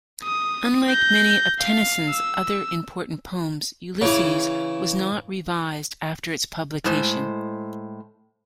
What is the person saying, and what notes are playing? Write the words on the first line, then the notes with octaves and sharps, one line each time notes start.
Unlike many of Tennyson's other important poems, "Ulysses" was not revised after its publication.
D#6
G6 A#6
F5
E6
C#3 E3
A2 G#3 C5